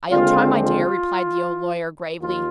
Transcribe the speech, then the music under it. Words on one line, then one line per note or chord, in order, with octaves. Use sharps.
"I'll try, my dear," replied the old lawyer, gravely.
D#2 D3 G#3 C4 F4
F4
D#2 F4